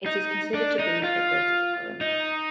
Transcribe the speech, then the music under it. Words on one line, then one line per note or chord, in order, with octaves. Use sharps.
It is considered to be her greatest poem.
D#4
D4
D#4
F4
D#4